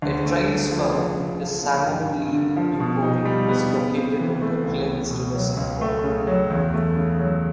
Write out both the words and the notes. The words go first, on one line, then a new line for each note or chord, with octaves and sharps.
A trail spur, the salmon leap viewpoint, is located on the glen's Riverside Walk.
D2
A3
C#3
F3
C#3
C#3
F3
A#3
G2
G2
D3
F3
B2
D#4
G3
B3
C#3
C4
E3
A3
C#2
B3
B2
F#3
C#2
A3
C#3
F#3
E2
A3
C#3
F#3